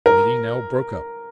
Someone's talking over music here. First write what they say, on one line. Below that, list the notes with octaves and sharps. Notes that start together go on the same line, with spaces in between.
The meeting now broke up.
A#4